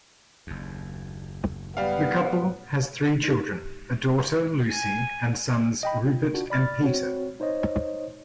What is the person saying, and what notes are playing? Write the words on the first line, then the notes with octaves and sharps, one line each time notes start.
The couple has three children, a daughter Lucy and sons Rupert and Peter.
F#1 D#2
G3 B3 F5
D#4 G4
G#5
D#5 G5 B5
C3 F4
D4 F4 F#4
D5 B5 F6 A6
C4 F#4 C#5
D#4 C5 C#5 D#5